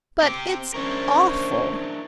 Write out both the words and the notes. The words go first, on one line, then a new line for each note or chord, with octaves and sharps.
"But, it's awful."
C4 G4
C#4 D4 E4 A#4 C5 C#6